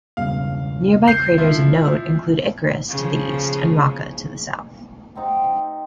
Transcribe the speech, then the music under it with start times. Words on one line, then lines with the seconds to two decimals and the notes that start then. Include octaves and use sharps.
Nearby craters of note include Icarus to the east and Racah to the south.
0.17 E1 G2 C#3 F5
1.08 G6 C7
1.38 F3 E4
2.89 C#3 F3
5.15 C3 C4 D#4 F#5